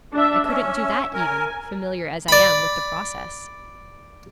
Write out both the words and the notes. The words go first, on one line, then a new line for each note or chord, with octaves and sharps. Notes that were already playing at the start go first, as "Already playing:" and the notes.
I couldn't do that even, familiar as I am with the process.'
D4 E5
C#4 E5
A#4 G#5
D5 B5